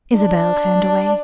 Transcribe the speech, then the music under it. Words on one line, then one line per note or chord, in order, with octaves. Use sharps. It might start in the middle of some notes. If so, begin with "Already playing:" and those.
Isabel turned away.
D4